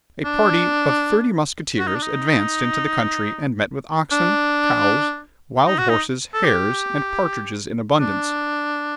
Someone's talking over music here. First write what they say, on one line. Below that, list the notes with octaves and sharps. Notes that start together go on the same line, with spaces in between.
A party of thirty musketeers advanced into the country and met with oxen, cows, wild horses, hares, and partridges in abundance.
D4
F#4
D#4
D4
D#4
D4
D#4
F#4
D#4
A4
G4
D4